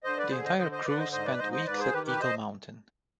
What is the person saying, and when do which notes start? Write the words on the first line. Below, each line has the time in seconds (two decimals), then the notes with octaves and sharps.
The entire crew spent weeks at Eagle Mountain.
0.04 D3 C5 D#5
0.18 B4 D5
0.31 D3 G#4 C5
0.44 C5 D#5
0.58 D3 C5 D#5
0.72 C5 D#5
0.85 D3 B4 D5
0.98 C5 D#5
1.12 G#2 C5 D#5
1.25 B4 D5
1.39 G#2 C5 D#5
1.52 C5 D#5
1.66 G#2 B4 D5
1.79 G#4 C5
1.93 D#3 G4 B4
2.07 G4 B4
2.21 C5 D#5